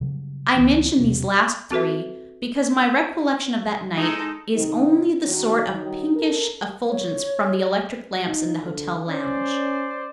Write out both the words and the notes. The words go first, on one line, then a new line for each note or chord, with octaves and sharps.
I mention these last three because my recollection of that night is only the sort of pinkish effulgence from the electric-lamps in the hotel lounge.
C#3 F#3 G3
C#2 E3 B3
E1 C3 F#3
C4 F#4 A4 B4 E5
G#3 D#4 A4
C3 D#3 C4 D#4
D#3 F#3
D#3 F#3 G3 D#4 F#4
A4 A#4
C#5
D#4
D3
C#4 C5 D5